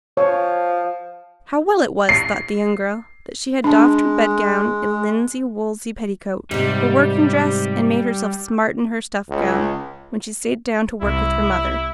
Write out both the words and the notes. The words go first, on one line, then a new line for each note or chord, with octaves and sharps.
How well it was, thought the young girl, that she had doffed her bed-gown and linsey-woolsey petticoat, her working-dress, and made herself smart in her stuff gown, when she sate down to work with her mother.
F3 C#5
C7
G#3 D4 A5
G#2 C3 G3
C#2
C2 E4